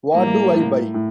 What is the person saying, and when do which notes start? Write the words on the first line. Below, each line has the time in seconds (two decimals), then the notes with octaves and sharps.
What do I buy?
0.14 A2 G3 A#3
0.54 A2
0.94 A2